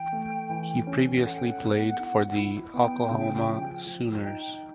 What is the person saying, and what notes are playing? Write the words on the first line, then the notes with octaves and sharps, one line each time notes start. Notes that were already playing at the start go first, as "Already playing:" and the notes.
He previously played for the Oklahoma Sooners.
Already playing: E3 G5
A3
E3
C#4
A4 F#5
G5
F#5
B3
E4
E4
B3 G5
C#3
F3
F3
D#4 G5